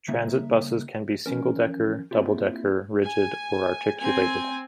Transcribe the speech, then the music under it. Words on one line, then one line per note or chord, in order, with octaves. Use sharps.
Transit buses can be single-decker, double-decker, rigid or articulated.
C#3 G3 A#3 D#4 E5
E3 F3 C#4 A#4
A#3 C4 D4 E4 F4 G4
G#5
C4 G#5